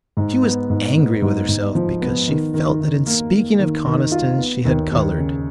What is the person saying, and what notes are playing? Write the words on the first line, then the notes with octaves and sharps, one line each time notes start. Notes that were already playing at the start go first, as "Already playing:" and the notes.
She was angry with herself because she felt that in speaking of Conniston she had colored.
G#2
B3
G#2
B3
G#2
G#2
F3
B3
D#3
D#3
D#3
A#3
A#3
D#3
D#3
F4
B3
D#2
D#2
C#3